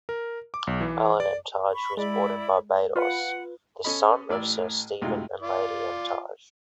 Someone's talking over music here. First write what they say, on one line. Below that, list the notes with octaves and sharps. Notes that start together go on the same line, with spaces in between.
Alan Emtage was born in Barbados, the son of Sir Stephen and Lady Emtage.
A#4
D6
B1
E3
D5
B5 C#6
G#3 E4 D5 B5
F4 B4 F#5
C#4 A4 D#5 B5
A1 A2 D5 E6
F#2 A2 C3 G#3 D#4 F4
F4 D5